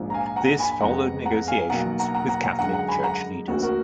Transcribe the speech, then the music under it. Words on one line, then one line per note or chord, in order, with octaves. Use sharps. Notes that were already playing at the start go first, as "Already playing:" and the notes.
This followed negotiations with Catholic church leaders.
Already playing: A#1 G#2 F3
A#5
F5 G#5
F#5 A#5
G#5 B5
F2 F3 G#3 B3 F#5 A#5
F#5 A#5
F5 G#5
B1 B2 A#3 F#5 A#5
F#5 A#5
F#5 A#5
F#5 A#5
F#5 A#5
F#2 D3 G#3 F#5 A#5
F#5 A#5
G#5 B5
F#5 A#5
D2 D3 F3 A#3 F#4
F#4 A#4